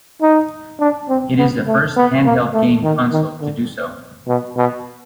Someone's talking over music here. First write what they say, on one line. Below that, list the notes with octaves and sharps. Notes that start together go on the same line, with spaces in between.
It is the first handheld game console to do so.
D#4
D4
C4
B3
A3
B3
A#3
A3
D#3
D#3
D3
B2
B2